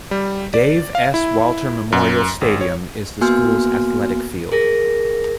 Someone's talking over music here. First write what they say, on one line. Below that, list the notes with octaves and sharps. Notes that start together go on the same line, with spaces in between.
Dave S. Walter Memorial Stadium is the school's athletic field.
G3
D5
F5
E4
F#2
G#1
C#5
A#3 B3 F#4 G#5 C6 F6
G#4 A#4 A#6